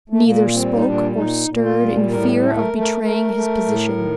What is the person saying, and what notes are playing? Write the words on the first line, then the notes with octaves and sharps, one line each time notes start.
Neither spoke or stirred in fear of betraying his position.
A3
A#2 A#3
A#3
G3 C4
D#4
A#2 D4
A#2 D#4
A#2
F4
G3
A2 A#4
A3
A#4
A3
A#4
A3 A#4
A3
A2
D#3